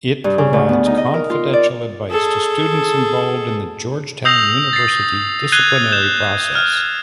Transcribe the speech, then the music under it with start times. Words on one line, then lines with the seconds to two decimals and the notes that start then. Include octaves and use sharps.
It provides confidential advice to students involved in the Georgetown University disciplinary process.
0.24 G2
0.38 C#3
0.53 D2
0.69 B3
0.86 D#4
0.97 D#5
1.14 A#4
1.30 F4
1.53 D5
2.10 G#4 A4
4.25 D#6 E6 G6 A#6 C7 F7
4.73 A6 C7
5.52 F#6 G#6 C7 D#7 F7 G7
5.92 G6 E7
6.55 F6